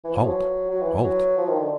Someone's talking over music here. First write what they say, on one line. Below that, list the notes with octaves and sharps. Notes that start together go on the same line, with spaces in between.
"Halt! halt!"
E3
F3
F#3
F#3
E3
F#3
F3
D#3
D3